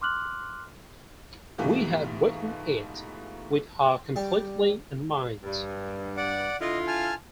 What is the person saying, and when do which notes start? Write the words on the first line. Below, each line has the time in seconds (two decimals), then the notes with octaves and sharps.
We had written it with her completely in mind.
0.01 C6 D6 F6 F#6 F#7
1.58 G#2 B2 E3 A3 F4 G4
4.16 G3 G4
5.44 G2
6.17 D5 F#5 D6
6.61 D3 E4 F4 D#5
6.87 G#5 A5 F6